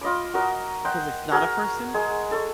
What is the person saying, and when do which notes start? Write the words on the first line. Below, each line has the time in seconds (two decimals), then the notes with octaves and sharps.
'Cause it's not a person?
0.01 F4 D#5 B5 D6
0.34 F#4 A#4 D#5
0.85 D#5 F#5 G5 C6
1.31 F#4 G#4 A#4
1.94 G#3 G#4
2.31 A4 C#6